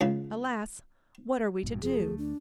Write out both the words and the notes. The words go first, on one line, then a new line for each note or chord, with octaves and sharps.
Alas, what are we to do?
C#2 C#3
A1 G2 B2
F1 F2 F3 G#4
D2 A3
D4